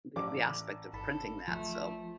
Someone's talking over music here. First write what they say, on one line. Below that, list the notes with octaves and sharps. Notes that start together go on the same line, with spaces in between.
we we aspect of printing that, so
A1 D5 D6
G#1 A4 A5 B5
F3 A3